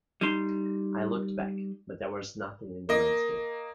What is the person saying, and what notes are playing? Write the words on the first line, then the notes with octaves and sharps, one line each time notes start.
I looked back, but there was nothing in the landscape.
G3 D#4 C6
A#3 D#5